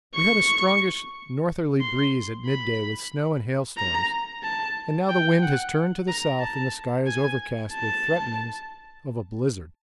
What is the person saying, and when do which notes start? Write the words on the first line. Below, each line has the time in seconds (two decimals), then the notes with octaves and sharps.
We had a strongish northerly breeze at midday with snow and hail storms, and now the wind has turned to the south and the sky is overcast with threatenings of a blizzard.
0.15 C#6
1.80 C6
2.46 B5
3.77 A#5
4.43 A5
5.09 G5
5.42 F#5
6.08 A#5
6.40 A5
7.07 G#5
7.72 A5